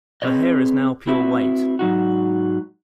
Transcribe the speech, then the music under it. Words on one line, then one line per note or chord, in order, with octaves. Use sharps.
Her hair is now pure white.
C4 G#4 B4 C#5 D#5
C4 E4 F#4 B4 E5
G#2 F#3 D#4 F#4